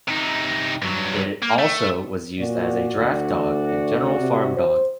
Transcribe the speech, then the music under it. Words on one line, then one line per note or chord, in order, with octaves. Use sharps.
It was also used as a draft dog, and general farm dog.
C3 D#4
G2 F#3
A#3
A3
A#2 F#4 D5
D2
C3
C5